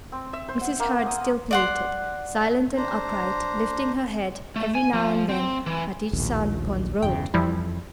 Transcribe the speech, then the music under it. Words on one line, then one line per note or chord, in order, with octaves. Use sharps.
Mrs. Hurd still plaited, silent and upright, lifting her head every now and then at each sound upon the road.
C4
E5
C5
F#5
A#3
D#6
D5 F#5 C6
D4 C5 A#5
A3
G#5
F3
C4
E3
A#1 D#2 A2
G1 E2 C#3 G5
F2 E3 F3 G3 E4